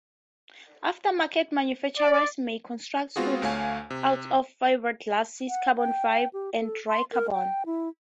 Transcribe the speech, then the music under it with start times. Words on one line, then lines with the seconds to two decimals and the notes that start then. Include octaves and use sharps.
Aftermarket manufacturers may construct hoods out of fiberglass, carbon fiber, or dry carbon.
1.98 D5
3.16 G#3 B3 C4 F4 F#4 G#4
3.42 D2 A3 C#5 F5 G#5
3.90 C3
5.49 F#5
5.77 G5
6.33 G4
6.60 A4
6.89 C6
7.12 A#4
7.32 G5
7.66 E4